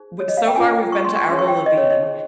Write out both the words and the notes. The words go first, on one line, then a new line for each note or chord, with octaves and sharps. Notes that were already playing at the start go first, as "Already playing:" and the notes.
w so far we've been to Avril Lavigne,
Already playing: D#4 G#4 C5
C#5
D#5
F5
G5
C#4 F4 A#4 C#5 G#5
C#6
C6
C#6
C#4 G#4 C#5 C6
C#6
G5
D#5
C#5
D#5
D#4 G#4 C5